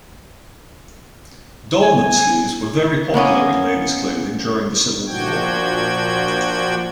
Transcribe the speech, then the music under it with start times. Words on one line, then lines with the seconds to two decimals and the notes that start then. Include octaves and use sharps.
Dolman sleeves were very popular in ladies clothing during the Civil War.
1.82 G#5
3.14 A#3 B3 C#4 D#5
5.07 A#2 F3 D4 F#4 G5 G#6